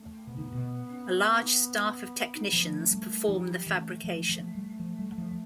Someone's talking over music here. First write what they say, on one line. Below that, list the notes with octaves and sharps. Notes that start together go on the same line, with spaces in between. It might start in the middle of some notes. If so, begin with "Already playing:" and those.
A large staff of technicians perform the fabrication.
Already playing: A3
C3 B3
D3
C3
B2
F3 A3
G3
F3 G3
E3 A3
F3 A3
F3
G3
F3
G3
F3